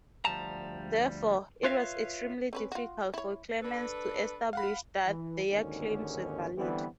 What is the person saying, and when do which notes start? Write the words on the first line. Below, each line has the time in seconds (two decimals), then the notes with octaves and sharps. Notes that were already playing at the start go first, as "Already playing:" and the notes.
Therefore, it was extremely difficult for claimants to establish that their claims were valid.
0.25 D2 F3 G3 A5 A#5
1.64 F4 B4 C#5 E5 F5
2.53 C4 C#4 B4
2.72 F4 F#4
3.14 E4 C#5
3.62 D4 A4 B4
4.53 F5 F#5 B5
5.06 E3
5.49 G#1 D#2 G#2 D3 C#4
6.56 D3 E3 G3 B3 C4